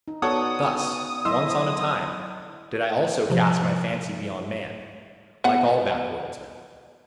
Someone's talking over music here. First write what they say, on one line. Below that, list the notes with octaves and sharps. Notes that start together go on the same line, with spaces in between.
Thus, once on a time, did I also cast my fancy beyond man, like all backworldsmen.
D#4
B3 F#4 A4 C#5 D5 F#5 D#6
F#3 E4 D#5 E5 C6 E6
C3 F3
B3 F#5